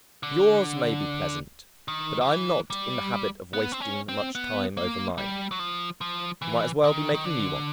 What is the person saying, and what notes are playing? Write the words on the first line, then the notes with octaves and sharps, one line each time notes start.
Yours may be pleasant, but I'm not in the habit of wasting much time over mine. Might as well be making new ones ...
D3
D#3
F3
E3
G3
B3
C4
C#4
C4
B3
A#3
G3
F#3
F3
F3
E3
D#3
D#3
D3